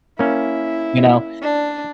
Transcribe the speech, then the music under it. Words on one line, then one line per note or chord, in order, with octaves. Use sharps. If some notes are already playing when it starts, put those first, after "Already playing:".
You know,
A#3 C#4 E4
D4